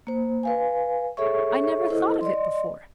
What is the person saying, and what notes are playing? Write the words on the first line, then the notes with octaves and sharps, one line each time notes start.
I never thought of it before.
A#3 C5
B4 F5 G#5
G#4 A4 C#5 E5 C#6
E4 A4 C5 D#5
D5 D#5 C6